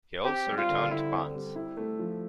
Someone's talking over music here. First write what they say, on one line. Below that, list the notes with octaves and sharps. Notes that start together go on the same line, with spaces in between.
He also returned punts.
C4 G4
G3
F4
D3
D3 E4
C4
G3
E4
A3
F3